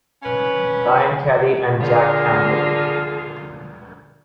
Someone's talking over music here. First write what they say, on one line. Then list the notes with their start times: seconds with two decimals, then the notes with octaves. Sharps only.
Ryan Kelly and Jack Campbell.
0.23 C#4 B4
1.79 D3 F4 G#4 A#4 A5